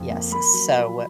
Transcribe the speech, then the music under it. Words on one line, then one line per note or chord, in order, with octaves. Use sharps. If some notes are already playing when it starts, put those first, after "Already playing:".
Yes, so,
Already playing: F2
A#3
A#3 B5
F#3
F3